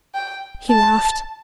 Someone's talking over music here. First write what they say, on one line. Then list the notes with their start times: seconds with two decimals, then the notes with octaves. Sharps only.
He laughed.
0.15 G5
0.69 A5